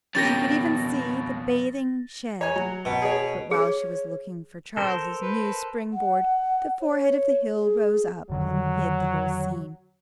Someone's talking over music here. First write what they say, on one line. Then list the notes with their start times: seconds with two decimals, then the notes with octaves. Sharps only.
She could even see the bathing-shed, but while she was looking for Charles's new springboard, the forehead of the hill rose up and hid the whole scene.
0.15 F2 B2 C#4 G4 A#4 A6 A#6
2.41 C#5 G#5
2.56 F#3
2.85 B2
3.02 G#4 C#5
3.51 G#4 C#5
4.77 A4 A#4 C5
5.22 B4
5.93 F#5
6.81 C#5
7.56 G#4
8.29 F2 D3 D#3 F#3